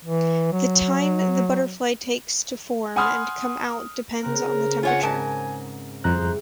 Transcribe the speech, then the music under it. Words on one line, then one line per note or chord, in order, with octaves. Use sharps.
The time the butterfly takes to form and come out depends on the temperature.
E3
F#3
F#5 G#5 B5 C6 D#6 F6
C#3 C4 A#4 F#6
F4 C#5 F#5 G#5
G#2 A#4 A5
F2 G3 G#3 E4 C5 A#5 F#6